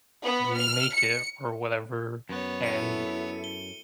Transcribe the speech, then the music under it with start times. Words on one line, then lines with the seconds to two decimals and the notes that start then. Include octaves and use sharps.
remake it or whatever, and
0.23 B3
0.59 F6
0.94 C#7
2.29 F#2 B3 C#5
2.63 E4 A4 C#7 D#7
3.44 G7